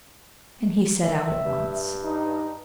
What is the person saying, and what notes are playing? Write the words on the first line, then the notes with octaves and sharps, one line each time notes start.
And he set out at once.
D#3 E5
G2
D#4